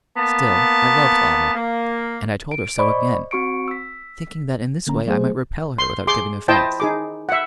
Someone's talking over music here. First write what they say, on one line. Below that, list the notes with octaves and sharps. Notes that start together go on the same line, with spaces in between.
Still, I loved Almah, and I told her so again, thinking that in this way I might repel her without giving offence.
A#3 B3 A5
A#3
D7
C5 D5 D#5 B5 C#6
C4 F#4 C#6 C#7 D7
E6 B6
D3 A#3 C#4 A#5
F#3 A3 B3 G#4 C5
C6
G#4 C6 D6
E4 C5 D#5 G5 A5
D#4 G#4 D6
E5 F#5